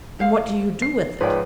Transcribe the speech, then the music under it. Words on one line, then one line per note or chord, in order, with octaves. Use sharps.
"And what do you do with it?"
E4 C5 F5
C7
G#2 F3 B4 C#5 D5 G5